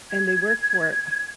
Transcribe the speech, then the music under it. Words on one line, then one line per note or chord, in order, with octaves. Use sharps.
and they work for, ugh,
G#6